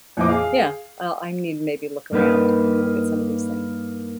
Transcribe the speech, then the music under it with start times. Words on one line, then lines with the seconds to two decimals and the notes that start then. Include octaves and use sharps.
yeah, I I need to maybe look around, look at some of these things.
0.17 F2 A#2 E3 D#5 D6
0.28 G#4 F5
2.12 G2 A#3 D#4 B4